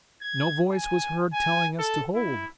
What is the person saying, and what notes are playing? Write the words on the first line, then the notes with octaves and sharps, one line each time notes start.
No voice was heard telling us to hold!
G#6
G#5
G#5
A4
E4